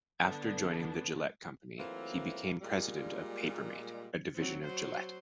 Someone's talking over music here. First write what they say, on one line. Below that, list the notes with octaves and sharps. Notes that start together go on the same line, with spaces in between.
After joining the Gillette Company, he became president of Papermate, a division of Gillette.
D3 B3 D4
E3 F#3 A3 A#3 C4 F4
A#2 G3 G#3
F#3 C4
F#3 C5